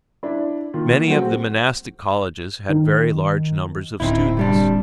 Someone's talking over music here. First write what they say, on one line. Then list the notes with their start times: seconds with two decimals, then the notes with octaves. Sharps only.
Many of the monastic colleges had very large numbers of students.
0.23 D4 E4
0.74 D#3 A#3 F4
1.08 F#3 G#3 A3 C4 F#4
2.69 D#3
4.00 D1 C4 D#4 E4
4.37 C3 G3 D4